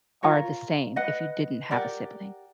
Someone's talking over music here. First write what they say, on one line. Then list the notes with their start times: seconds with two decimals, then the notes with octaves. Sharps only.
or the same if you didn't have a sibling?
0.23 F4 A#4 C#5
0.96 B4 D#5 F#5
1.71 G4 A#4 D5 F#5